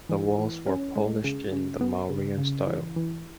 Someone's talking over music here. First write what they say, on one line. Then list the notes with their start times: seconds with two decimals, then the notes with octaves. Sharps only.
The walls were polished in the Mauryan style.
0.09 E3
0.38 E3
0.67 C#4
0.96 G#3
1.24 C#3
1.52 C#3
1.81 B3
2.10 C#3
2.38 C#3
2.67 E3
2.96 E3